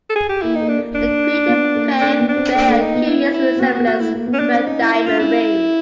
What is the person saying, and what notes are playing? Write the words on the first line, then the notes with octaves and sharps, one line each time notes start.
The crater pair bear a curious resemblance to a diamond ring.
A4
G#4
G4
A#3 E4
D#4
A#3
D4
A#3
D4
B3
A#3
A#3 D4
B3
D4
C4
A#3 D4
A3
A#3 D#4
B3
E4
E4
C4
B3 F#4
B3 F#4
A#3 F#4
A3 E4
A#3
B3
C#4
B3 D4
C4
C#4 D#4
C#4 E4
E4
D4 F4
C#4 E4